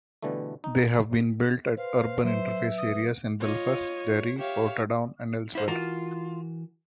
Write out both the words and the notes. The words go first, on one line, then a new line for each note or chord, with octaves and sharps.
They have been built at urban interface areas in Belfast, Derry, Portadown and elsewhere.
B2 D3 E3 G3 A3
D#4
B4 C5 F5
F#3 C5 E5
D#6
F4 C#5 D#5 D#6
G4 C#5 E5 F5
E4 C5
E3 F4 F#4 A#4